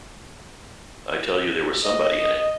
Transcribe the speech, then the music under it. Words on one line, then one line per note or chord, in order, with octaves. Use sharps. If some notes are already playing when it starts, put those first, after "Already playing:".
I tell you there was somebody in it.
D#5